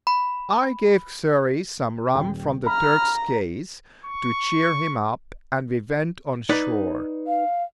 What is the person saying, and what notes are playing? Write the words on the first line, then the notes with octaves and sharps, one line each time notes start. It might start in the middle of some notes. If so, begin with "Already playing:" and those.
I gave Xury some rum from the Turk's case to cheer him up, and we went on shore.
B5
D#1 G5
A#5 B5 F6
C#6
D#4 B4 D5
F5